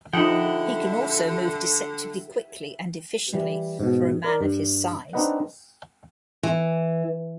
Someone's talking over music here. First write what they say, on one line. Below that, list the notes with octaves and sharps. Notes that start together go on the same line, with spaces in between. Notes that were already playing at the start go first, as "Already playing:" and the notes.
He can also move deceptively quickly and efficiently for a man of his size.
D3 F3 D#4 E4 F#5 G5
E3 G3
G#2 B2
A#4 D5
G2
C4 D4 D#4 B4 D#5 F#5
E3